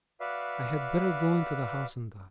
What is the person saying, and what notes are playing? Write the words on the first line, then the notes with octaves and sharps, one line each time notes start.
I had better go into the house and die.
F#4 B4 D5 E5 F5